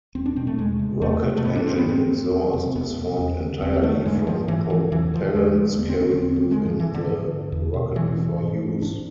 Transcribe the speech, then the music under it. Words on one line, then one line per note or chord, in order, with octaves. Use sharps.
Rocket engine exhaust is formed entirely from propellants carried within the rocket before use.
E2 C4
D4
B2 C4
A3
E2 G#3
C3
E2 A3
C3
A3
G#2 B3
D4
C4
B3
G#2 C4
F2
C3 C4
F2 B3
C3
E2
D3
E2 C4
D3 A3
G#2 G#3
F3
G#2 E3
E3
E2 E3
D3 F3
E2 G#3
D3
A3
E2 B3
C4
D3 D4
C4
E2 C4
C4
D3
G#3
G#2 F3
E3
D3
G#2
E2
B2
E2 E3
B2
G#2
G#2 D4